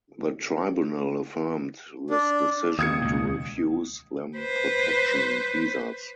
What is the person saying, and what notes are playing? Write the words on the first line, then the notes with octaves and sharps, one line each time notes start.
The Tribunal affirmed this decision to refuse them protection visas.
D4
D#2 D#6 G#6 C#7
C#2 B2
B4 C5